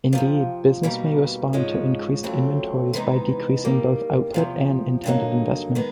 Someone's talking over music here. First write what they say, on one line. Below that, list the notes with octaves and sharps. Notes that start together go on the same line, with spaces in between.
Indeed, business may respond to increased inventories by decreasing both output and intended investment.
F2 C3 F3
B2 G3 A#3 D#4
G#2 F3 G#3 C#4
F2 C#3 F#3 A3 C4
C3 E3 G#3 B3 D#4
D#3 G3 A#3
E2 C3 F3
G2 D3 F#3 A#3 D#4
D#3 G#3 B3